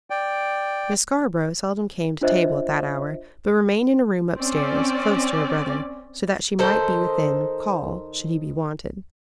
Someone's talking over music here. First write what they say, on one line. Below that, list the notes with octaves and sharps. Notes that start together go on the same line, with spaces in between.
Miss Scarborough seldom came to table at that hour, but remained in a room up-stairs, close to her brother, so that she might be within call should she be wanted.
D5 G5
D4 F4 C5 D#5 E5
C4 C#4 D5
D#3 A4 C5